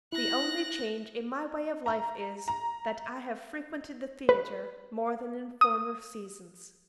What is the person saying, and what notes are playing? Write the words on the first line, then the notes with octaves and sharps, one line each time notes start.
The only change in my way of life is, that I have frequented the theatre more than in former seasons.
E4 F#6 A#6
A#5
A#5
B4
D#6